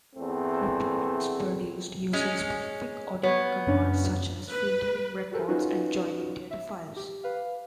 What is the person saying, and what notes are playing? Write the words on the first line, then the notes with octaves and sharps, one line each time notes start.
Reports produced using specific audit commands such as filtering records and joining data files.
E2 A3 C4
G#3 C#4
B3 C#5
F#2 C#3 C#4 D4
B4
F#4 G4 A4 A#4 C5
C#4 D#4 F4 F#4 B4
E5
G4
B4 F5